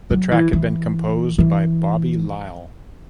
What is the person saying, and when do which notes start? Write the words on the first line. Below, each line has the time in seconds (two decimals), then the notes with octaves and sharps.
The track had been composed by Bobby Lile.
0.10 F#3
0.31 E3
0.53 E3
1.38 E3